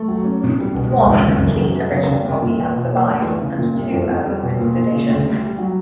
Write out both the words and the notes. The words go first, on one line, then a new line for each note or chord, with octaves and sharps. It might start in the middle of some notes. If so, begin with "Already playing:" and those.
One complete original copy has survived, and two early printed editions.
Already playing: A3
F#3
C#4
C#4
G3
B2
G#3
C#2
C#3
F#2
F#3
B3
C#3
C#3
C2
A#2
E2
B2
A#3
D2
E2
C#3
A#2
C2
F2
F2
G3
B2
A#2
A#2
C#3
D2
G3
G3
F#3